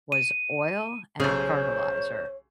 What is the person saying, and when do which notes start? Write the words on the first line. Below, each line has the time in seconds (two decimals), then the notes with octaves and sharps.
was oil and fertilizer.
0.12 D#7
1.20 B1 C#3 G#4 C5 C#5